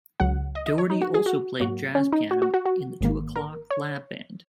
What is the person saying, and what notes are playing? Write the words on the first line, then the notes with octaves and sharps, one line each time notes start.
Daugherty also played jazz piano in the Two O'Clock Lab Band.
C#2 C#3 F#3 F#5
D#5
D#5
C#5
D#4
F#4
G#4
F#4
G#2 F#3 A#3 F#4
C#4
D#4
F#4
F#4
F#4
F#4
G#1 G#2 D#3 A#3
A#4
C#5